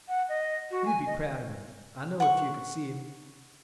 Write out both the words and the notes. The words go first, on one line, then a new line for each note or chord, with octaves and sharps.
You'd be proud of him, I know, if you could see him.
F#5
D#5
F#4
G#5
D#5
F#5 C#6